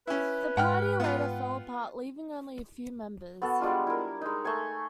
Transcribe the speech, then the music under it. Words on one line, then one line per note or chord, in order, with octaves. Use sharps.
The Party later fell apart leaving only a few members.
C#4 E4 B4
G#2 F#5 G5 F6
B3 F4
B3 F#4 A4
G3 G#3 D4 F4
E4 A#4
G#3 D#4
A3 G#4 G#5 C#6